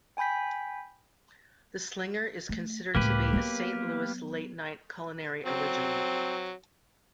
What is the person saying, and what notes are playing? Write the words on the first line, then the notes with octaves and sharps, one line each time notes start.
The slinger is considered to be a Saint Louis late-night culinary original.
G5 G#5 B5 G6 B6
A3
C#2 A2 A#3 G4 B4
F#3 B3
F#3 C4